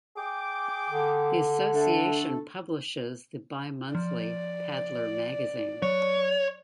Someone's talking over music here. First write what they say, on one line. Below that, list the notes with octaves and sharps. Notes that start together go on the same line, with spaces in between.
The Association publishes the bi-monthly "Paddler Magazine".
G#4 G5 D6
D3
A3 D4 A4
F3 D5
F#3 C#5